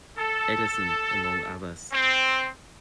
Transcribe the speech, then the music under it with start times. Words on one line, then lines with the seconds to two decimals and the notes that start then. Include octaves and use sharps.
Eddison, among others.
0.18 A4
1.92 C4